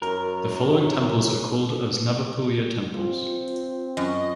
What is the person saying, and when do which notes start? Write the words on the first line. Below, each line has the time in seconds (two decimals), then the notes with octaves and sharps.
The following temples are called as Nava Puliyur Temples.
0.02 F#2 A#4
2.94 C4 F4
3.97 F#2 D#5